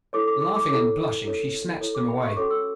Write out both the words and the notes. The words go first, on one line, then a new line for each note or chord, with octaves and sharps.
Laughing and blushing, she snatched them away.
E4 A4 C#5 D6
D6
D6
D6
E4 A4 C#5 D6
E4 A4 C#5
E4 A4 C#5
D6
B5
C#6
C#4 F#4 A4 C#5 D6
E6